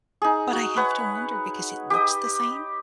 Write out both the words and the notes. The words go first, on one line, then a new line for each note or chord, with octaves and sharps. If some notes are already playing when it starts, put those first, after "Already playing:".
but I have to wonder because it looks the same,
D#4 G#4
F#4
B4 C#5 F#5
G4 D#5